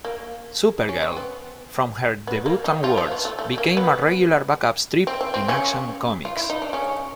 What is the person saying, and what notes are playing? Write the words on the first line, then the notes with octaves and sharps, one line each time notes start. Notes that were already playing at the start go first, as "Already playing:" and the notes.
Supergirl, from her debut onwards, became a regular backup strip in "Action Comics".
A#3
C#4
C4
B3
B3
A#3
D#3 D#4
F3 F4
F3 F4
B3
A3
A3
A#3
B3
C4
C4
C4
C#3 C#4
F4
E4
D#4
D4
C#3 C#4